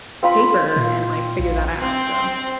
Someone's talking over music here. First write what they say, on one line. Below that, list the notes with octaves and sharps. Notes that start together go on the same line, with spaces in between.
paper and, like, figure that out." So
C4 F4 B5
A#2
A#1
C4